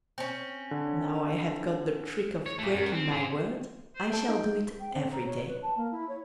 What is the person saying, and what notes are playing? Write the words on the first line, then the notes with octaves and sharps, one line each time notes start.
Now I have got the trick of breaking my word, I shall do it every day.
C4 C#4
D3
C#5
A#2 A3
F#2
C4
G#4 C5
C5
A3 A4 G5
D#4
G5
C4
A#5
C#5
B4
A5
A#3
E4
C#5